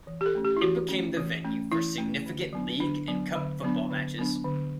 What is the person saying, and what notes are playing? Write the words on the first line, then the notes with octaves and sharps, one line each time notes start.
It became the venue for significant league and cup football matches.
E3
G4
A4
A3 C#4
G4
E4
E3 F#4
A3 C#4
E3
A3 C#4
E3 E4
A3 C#4
D3
F#3 B3 D4
D3 D4
F#3 B3 D4
D3
F#3 B3 D4
D3
F#3 B3 D4
D3